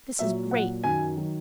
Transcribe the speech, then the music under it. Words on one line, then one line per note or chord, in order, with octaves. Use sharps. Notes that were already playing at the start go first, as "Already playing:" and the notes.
This is great.
A#2 F#3 E5
A#2 F#3 F#5
F#2 D#3 F#3 G#5
D#3 F#3